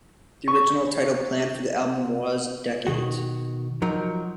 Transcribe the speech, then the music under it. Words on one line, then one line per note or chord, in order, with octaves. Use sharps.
The original title planned for the album was "Decades".
C#6
B2 D#3 F#4
F3 F#3 D#4 A#4